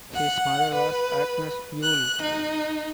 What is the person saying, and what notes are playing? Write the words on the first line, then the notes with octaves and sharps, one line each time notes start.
His mother was Agnes Yule.
F#5
B4
F#6
D#4